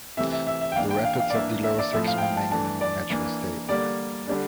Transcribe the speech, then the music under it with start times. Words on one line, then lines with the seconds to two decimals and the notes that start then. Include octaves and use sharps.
The rapids of the lower section remain in a more natural state.
0.17 C3 E3 A3 C4 E5
0.32 E5
0.47 E5
0.61 E5
0.72 G5
0.76 E3 A#3 D4 F5
0.90 G5
1.05 F5
1.20 F5
1.30 D5
1.34 E3 A#3 D4 E5
1.63 E5
1.78 D5
1.93 A2 F3 A3 C4 E5
2.08 F5
2.18 G5
2.22 F5
2.37 A5
2.51 E3 A3 D4 A5
2.81 D5
3.10 E3 A#3 D4
3.69 D3 G3 A#3 D5
4.27 D3 G3 D4